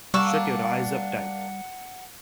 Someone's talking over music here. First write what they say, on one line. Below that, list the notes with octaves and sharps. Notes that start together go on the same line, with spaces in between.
Shut your eyes up tight.
G3 A#3 D4 F#5 C#6 E6